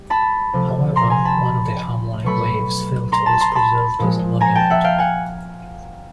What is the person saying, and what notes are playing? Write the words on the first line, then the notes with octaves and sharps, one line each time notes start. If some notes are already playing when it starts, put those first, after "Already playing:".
However, one of the harmonic waves filter was preserved as a monument.
Already playing: G3
A5 B5
C3 F3 A3
A#5 C6
G#5 A#5
A5 B5
B2 F#3 A3 B5 C#6
A#5 C6
A5 B5
A#5 C6
A5 B5
A#2 F3 G#3
G#5 A#5
G5 A5
E5 F#5
F5 G5
F#5 G#5